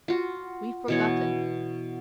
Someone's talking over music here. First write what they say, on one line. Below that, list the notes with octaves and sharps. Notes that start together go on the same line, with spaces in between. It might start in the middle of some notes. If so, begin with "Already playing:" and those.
We've forgotten.
F4 F#4
B2 E3 C#5